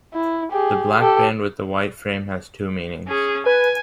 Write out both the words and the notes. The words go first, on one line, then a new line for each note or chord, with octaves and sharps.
The black band with the white frame has two meanings.
E4
G4 G#4
G4 A4
C#4 G#4
B4 G#5